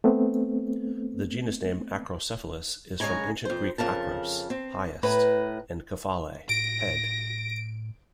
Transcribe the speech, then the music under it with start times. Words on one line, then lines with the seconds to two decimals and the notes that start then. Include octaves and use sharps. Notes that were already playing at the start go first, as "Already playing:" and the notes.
The genus name "Acrocephalus" is from Ancient Greek "akros", "highest", and "kephale", "head".
0.04 A3 B3 C4
3.00 C#3 G#3 C#5 G#5 A#5
3.45 F2 C5
3.78 F2 C#3 A#4 A5
4.50 C4
5.03 A2 B4 A#5
6.49 A2 A#6 D7